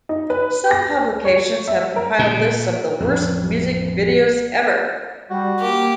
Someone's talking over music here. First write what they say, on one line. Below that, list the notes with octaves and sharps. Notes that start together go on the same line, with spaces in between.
Some publications have compiled lists of the "worst" music videos ever.
D#4
B4
A#6
C#5
E5
A#4
A#2
A1 F2
G3 F#4
A#3 G4